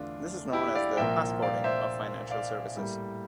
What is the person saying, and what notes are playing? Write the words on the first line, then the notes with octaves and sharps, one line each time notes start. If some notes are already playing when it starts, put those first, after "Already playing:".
This is known as the "passporting" of financial services.
Already playing: E2 D3 A3 D4 F4
E4 G4
D5 F5
C2 A#2 F3 A#3 E5 G5
D5 F5
C5 E5
D5 F5
A2 G3 A#3